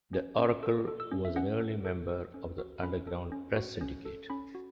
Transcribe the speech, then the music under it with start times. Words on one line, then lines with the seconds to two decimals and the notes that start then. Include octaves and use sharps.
The "Oracle" was an early member of the Underground Press Syndicate.
0.13 C#4
0.38 C#4
0.63 A4 E6
0.87 A4
1.00 E6
1.11 C#4
1.25 E5
1.36 C#4 F#5
1.60 A4
1.85 A4
2.09 A4
2.34 C#4
2.59 F#4
2.83 C#4 B5
3.07 A4
3.32 C#4
3.56 F#4
3.81 C#4
4.05 A4
4.30 C#4 B5
4.55 F#4